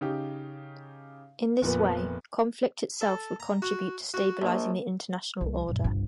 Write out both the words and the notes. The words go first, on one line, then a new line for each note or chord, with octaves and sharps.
In this way, conflict itself would contribute to stabilizing the international order.
C#3 D#4 G4
F1 A#2 B3 B4
A4
A#5
F#4
F#4
A#1
C2
F#2 A#2
G1 C2